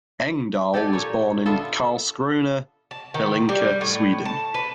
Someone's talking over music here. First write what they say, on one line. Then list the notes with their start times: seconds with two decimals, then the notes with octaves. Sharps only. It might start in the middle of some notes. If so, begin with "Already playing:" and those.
Engdahl was born in Karlskrona, Blekinge, Sweden.
0.73 G4 A4 D5 G5 G#5
0.93 A#2 C#5
1.46 D3 B3 F4 A4 E5
2.91 A5
3.14 D#3
3.49 G3
3.81 A2
4.25 A5
4.54 B4